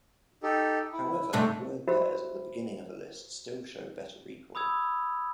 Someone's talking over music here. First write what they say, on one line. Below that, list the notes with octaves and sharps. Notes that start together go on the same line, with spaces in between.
However, word pairs at the beginning of a list still show better recall.
D#4 G4 A4
E4
G#2 C3 A3 D4
F#4 G4 A#4 C5 E5 B5
B5 D#6 E6 G#6